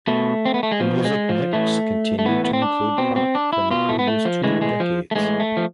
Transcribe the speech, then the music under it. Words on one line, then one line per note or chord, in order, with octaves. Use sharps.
The music mix continued to include pop from the previous two decades.
B2 A3
C4
B3
A3
G#3
B2 F3
G#3
F3
A2 E3 A3
A3
A2 E3 B3
B3
C4
D4
B2 C4
C4
D4
E4
B2 F4
A3
B3
A3
F3
A2 E3 G#3
G#3
F3
A3
A2 E3 G#3
A3
F3